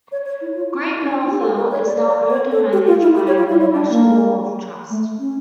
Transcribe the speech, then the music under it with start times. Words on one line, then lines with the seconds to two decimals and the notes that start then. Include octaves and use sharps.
Great Mell Fell is now owned and managed by the National Trust.
0.12 C#5
0.26 C#5
0.41 E4
0.55 F4
0.77 E4
0.99 E4
1.04 C#4
1.09 D4
1.20 D4
1.26 F4
1.31 G4
1.42 A4
1.56 A#4
1.71 C#5
1.86 D5
2.08 D5
2.30 C#5
2.51 A4
2.73 G4
2.87 F4
3.02 E4
3.16 G4
3.27 C#5
3.38 F4
3.49 E4
3.60 E4
3.74 D4
3.89 A#3
4.90 A3
5.19 C#4